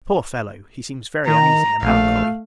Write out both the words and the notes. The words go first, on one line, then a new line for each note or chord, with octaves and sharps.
Poor fellow! he seems very uneasy and melancholy.
D#3 A#5
A#1 A3 F5